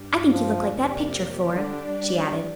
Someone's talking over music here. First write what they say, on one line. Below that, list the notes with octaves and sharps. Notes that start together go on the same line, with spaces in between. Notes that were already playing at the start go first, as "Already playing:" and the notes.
"I think you look like that picture, Flora," she added.
Already playing: G2 G3 D4
F3
F2 C3 A#3 G4 D5
D3 G3 D4 G4 D5